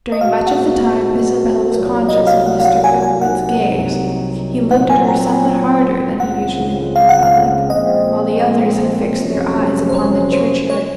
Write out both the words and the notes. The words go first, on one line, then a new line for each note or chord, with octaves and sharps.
During much of the time Isabel was conscious of Mr. Goodwood's gaze; he looked at her somewhat harder than he usually looked in public, while the others had fixed their eyes upon the churchyard turf.
D#5
A#2 G#3 C4 F#4 F5
F#5
C2 A#2 F#3 A#4
D#5
F5
F#5
F5
F#5
G#5
G#5
C2 C3 F#3 C4 D#4 F#5
A#2 F#3 C4 F#5
G#5
A#5
G#5
C#2 C#3 G#3 C4 F4 F#5
F5
F#5
F5
A#2 F3 G#3 C4 D#5
F2 C3 F#3 C#4
C5
C#5
C5
C#5